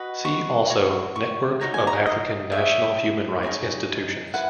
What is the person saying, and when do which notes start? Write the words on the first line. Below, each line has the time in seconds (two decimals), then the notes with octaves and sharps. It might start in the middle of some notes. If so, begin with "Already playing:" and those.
See also Network of African National Human Rights Institutions.
Already playing: F#4 B4 D#5
0.25 C#6
0.70 F#4 C#5 C#6
1.16 C#6
1.60 D#4 F#4 C#5 A#5
1.74 G#5
1.87 A#5
2.06 D#5
2.52 G#4 C#5 E5
3.43 D#4 G#4 C#5
4.34 E4 B4 F#5